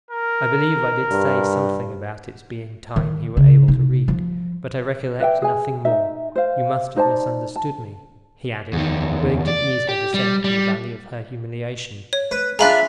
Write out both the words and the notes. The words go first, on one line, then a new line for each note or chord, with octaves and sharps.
"I believe I did say something about its being time he were able to read, but I recollect nothing more.--You must have misunderstood me," he added, willing to ease her descent to the valley of her humiliation.
A#4
G2
D#3
C#3 D4
C3 D#4
F3
B4 D5 E5 G5
G#4 G#5
D#4 E5
C5 F5
D#4 C5 D5 A5
A5
E2 D#3
D5
G4
G3
G3
C#5
B4
D4 F4 G#4 E5 A#5 B5 F#6